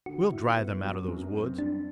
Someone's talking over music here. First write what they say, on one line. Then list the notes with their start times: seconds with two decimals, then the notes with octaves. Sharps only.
"We'll drive them out of those woods."
0.06 D3 F#4
0.32 E4
0.57 B3
0.83 F#3
1.08 F#2
1.33 C4
1.58 G3 D4